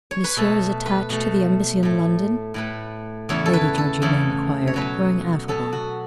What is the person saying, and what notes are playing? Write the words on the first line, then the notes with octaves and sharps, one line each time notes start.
'Monsieur is attached to the Embassy in London?' Lady Georgina inquired, growing affable.
C#5
B4
B2 A3 A4
B4
B2 A3
A2 A3
A2 A3 B4
E2 C#3 E3 A3 C#5
A4
B4
A4
E2 C#3 E3 A3
C#5
B2 F#3 B3 B4
B2 F#3 B3 A4
F#4